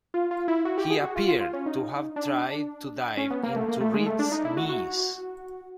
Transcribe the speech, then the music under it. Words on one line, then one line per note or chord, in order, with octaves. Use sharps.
He appeared to have tried to dive into Reed's knees.
F4
F4
E4
F#4
G4
G#4
F#4
F4
F4
F4
C#4
D#4
D4
C#4
B3
A#3
A3
A#3
A3
G#3
A3
D4
D#4
E4
F#4
F#4